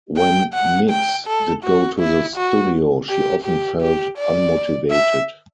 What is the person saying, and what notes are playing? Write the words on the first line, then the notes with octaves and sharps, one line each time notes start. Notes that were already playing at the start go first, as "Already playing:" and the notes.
When Nicks did go to the studio, she often felt unmotivated.
G5
F#5
G5
A4
F#4
E4
F#4
G4
G4
G4
D5
E5